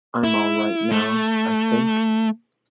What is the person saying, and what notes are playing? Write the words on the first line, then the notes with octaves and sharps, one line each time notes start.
I'm all right now, I think.
E4
A3